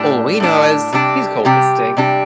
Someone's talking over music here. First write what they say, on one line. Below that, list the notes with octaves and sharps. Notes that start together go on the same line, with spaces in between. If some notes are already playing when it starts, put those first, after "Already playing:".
All we know is, he's called the Stig.
Already playing: A2 G3 D4
A2 G3 D4
C3 G3 D4 G4
C3 G3 D4 G4
C3 G3 D4 G4